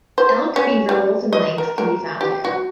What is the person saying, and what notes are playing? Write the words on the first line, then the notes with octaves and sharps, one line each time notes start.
Elk, beaver, wolf, and lynx can be found here.
C5
C#4
G3
D#5
A#4
A#4
G4
F#4